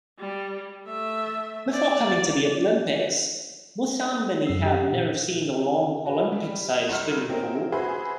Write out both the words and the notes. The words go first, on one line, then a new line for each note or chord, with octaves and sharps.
Before coming to the Olympics, Moussambani had never seen a long Olympic-size swimming pool.
G3
A3 E5
D5
F#2 F#3 C#4 E6 C7
C#4 G4 B6
A#2 E3
F#4 B4
G3
C2 E4 E5 F6
C4 C#4 D#4 A#4
F#4 G#4 B4 C5 E5